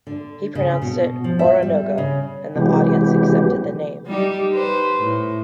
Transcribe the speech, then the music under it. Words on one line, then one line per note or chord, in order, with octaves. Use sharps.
He pronounced it "Oronogo" and the audience accepted the name.
D3
C#3
B2
F3
E5
G3
C#3
C3 E3 F#3 G#3 B3 G4
G3 D#4 G4
B4 C5
A2